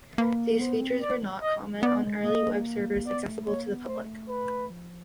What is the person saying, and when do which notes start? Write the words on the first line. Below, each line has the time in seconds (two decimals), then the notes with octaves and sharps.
These features were not common on early web servers accessible to the public.
0.18 A#3 B4
0.60 B3 C5
0.80 C4
1.01 D5
1.42 D#5
1.82 B3 D5
2.04 G#3
2.24 A#3 D#5
3.06 B3 D5
3.26 A3
3.47 A#3 C#5
3.67 B3
3.87 A3 C5
4.29 B4
4.70 F3